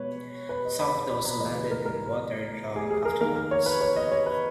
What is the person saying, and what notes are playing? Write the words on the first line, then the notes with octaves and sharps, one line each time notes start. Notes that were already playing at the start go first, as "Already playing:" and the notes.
Some of those who landed in water drowned afterwards.
Already playing: B2 G#3 B3 B4 C#5
B4
D#5
B5
B5
B5
A#5
C#3 E3 G#3 B3 D#5
B4
A#4
A#4
G#4
G#4
A#4
D#3 A#3 A#4
A#4
C#5
B4
C#5
D#5
C#5
B4